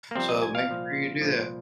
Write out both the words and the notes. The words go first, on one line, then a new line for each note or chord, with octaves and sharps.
So make sure you do that.
A#3
C2 C3 F3 C4
D#5
G#5
F5
C2 A#2 F3
C2 A#2 F3